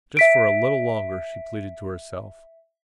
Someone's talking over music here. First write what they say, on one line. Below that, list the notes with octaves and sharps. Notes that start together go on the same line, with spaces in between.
Just for a little longer, she pleaded to herself.
E5 B6 D7